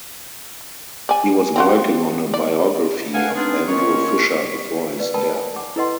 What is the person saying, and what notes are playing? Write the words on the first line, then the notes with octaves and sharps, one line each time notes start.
He was working on a biography of Andrew Fisher before his death.
D5 G#5
C4 F4 F#4
D5
A4 B4 F5 F#5 G#5
B3 C4 D4 D#4 F4 G#4
D#3 A#3 C#4 F4 C#5
F5
B4 D5 F5
A#4 B4 G5 A5 B5
F5 G#5
F#5 D6
E4 A4 B4 D#5 F#5 C6